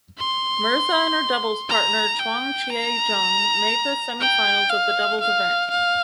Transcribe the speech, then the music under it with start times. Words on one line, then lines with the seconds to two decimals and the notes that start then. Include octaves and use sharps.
Mirza and her doubles partner Chuang Chia-jung made the semifinals of the doubles event.
0.19 C6
1.69 A#5
2.20 G5
2.70 A#5
4.20 G5
4.70 F5
5.21 F5
5.71 F5